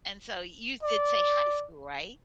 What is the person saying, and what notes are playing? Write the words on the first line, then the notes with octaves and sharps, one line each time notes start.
And so you did say high school, right?
D5